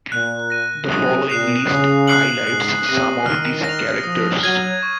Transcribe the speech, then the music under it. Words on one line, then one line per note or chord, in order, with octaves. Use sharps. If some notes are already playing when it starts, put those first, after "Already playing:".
The following list highlights some of these characters.
A#2 F#6
A#6 D#7
F#2 D#6
A#2 F#6 C7 F7
C#3 D#6
F#6 C7 F#7
G#2 F#6
C3 A#6 D#7
D#3 F6
A#6
F7
F3 D#6
F#3 G#6 D#7
C#6